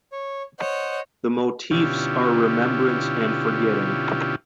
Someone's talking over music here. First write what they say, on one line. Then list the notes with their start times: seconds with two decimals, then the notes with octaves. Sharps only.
The motifs are remembrance and forgetting.
0.12 C#5
0.59 C5 C#5 D#5 F#5
1.71 B2 D3 C#4 E4 F4 G4